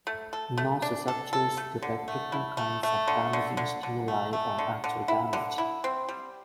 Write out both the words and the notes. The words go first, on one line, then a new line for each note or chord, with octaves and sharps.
Nociceptors detect different kinds of damaging stimuli or actual damage.
A3
A4
A3
D4
A4
A4
A3
D3
A3
E4
A3
A3
D3
D3
D3
D3
A3
A3
D3
D3
E4
D3
E4
C4
G3